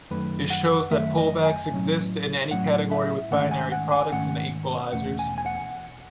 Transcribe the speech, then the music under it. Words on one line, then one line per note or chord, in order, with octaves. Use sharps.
This shows that pullbacks exist in any category with binary products and equalizers.
F#2 D#3 A3 B4
F#5
F#2 D#3 A3 E5
D#5
G#5
A2 F#3 C#4
A2 F#3 C#4 F#5
E5
G#2 D#3 A3 C#4 F#5
G#5
F#5
G#5
G#2 D#3 A3 C#4 F#5
E2 B2 A3 C#4 F#5
G#5
G#5
F#5